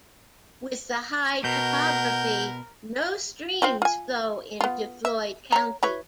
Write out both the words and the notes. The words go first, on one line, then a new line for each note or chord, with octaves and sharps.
With the high topography, no streams flow into Floyd County.
B2 A#4 F#5 G6
C4 F4 C5
F4 G#5
B3 F4
E5
C#5 A#5
E4 B4 C#5